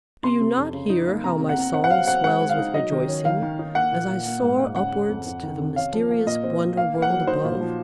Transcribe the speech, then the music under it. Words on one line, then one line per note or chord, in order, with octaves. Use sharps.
Do you not hear how my song swells with rejoicing as I soar upwards to the mysterious wonder-world above?
C3 C6
C3
F2
C#3
D#4
A#3
C3 A#5
C3
F#5
C3
C4 F#5
F#5
F#3 F5
C4 F#5
G#3 F#5
G#3
F5
D#4
F#3 D#5
D#3
C#4
D#3 F5
D#3
D#4
A#3 F#5
A#2
A#2
A#3
G#2
G#2
C#3 F#5
C#3
F2
F2
D#3
C3
C#4 F5
F3
A#3
A#2 D#5
C4
C4
A#3 F5
A#3
F#5
F#3
D#4 C5
A#2
F3